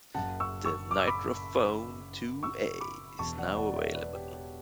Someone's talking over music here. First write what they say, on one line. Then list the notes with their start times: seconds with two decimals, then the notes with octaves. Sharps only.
The "NitroPhone two a" is now avaiable.
0.14 F#1 F#2 C#3 F#5 A5
0.40 C#6 E6
0.65 C#6 E6
0.91 D6
0.99 E6
1.07 B5 D6
2.43 C#6 E6
2.81 B5 D6
3.19 E1 E2 B2 A5 C#6
3.38 D5 F#5
3.57 D5 F#5
3.72 D5
3.76 C#5 E5
3.95 B4 D5
4.14 G4
4.33 G4